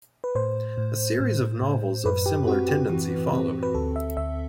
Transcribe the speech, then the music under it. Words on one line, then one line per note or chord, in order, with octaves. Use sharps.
A series of novels of similar tendency followed.
B4
A2 C5
A2
A2
A2
F#2 B4
G4
C4 F#4
G4
E3
C4
B4
D2 A4
E5
D2 E5